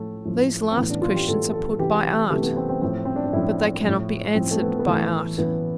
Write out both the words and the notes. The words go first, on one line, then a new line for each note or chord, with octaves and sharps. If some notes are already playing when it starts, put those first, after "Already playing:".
These last questions are put by Art, but they cannot be answered by Art.
Already playing: A2 F3 A3
A2 F3
C4
A2 E3 B3
D4
F4
G4
A2 E3 A4
A4
C3 E3 G4
C3 E3 A3
B3
C4
C4
A2 F3 C4
C4
D4
D4
A2 F3 E4
A2 F3
A2 F3 C4
A3
B3
B3
A2 E3 A3
A2 E3 B3